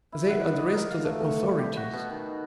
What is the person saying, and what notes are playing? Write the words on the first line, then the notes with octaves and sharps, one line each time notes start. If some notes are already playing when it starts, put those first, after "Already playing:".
They addressed to the authorities.
E4
F#5
D#5
A#4
F5
A3
C#6
G4
F#4
B2
D#3